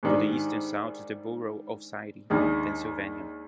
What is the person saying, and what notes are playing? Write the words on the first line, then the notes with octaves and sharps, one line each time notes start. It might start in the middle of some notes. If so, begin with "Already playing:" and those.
To the east and south is the borough of Sayre, Pennsylvania.
G#2 D#3 G3 D4
D#2 D#3 G#3 D4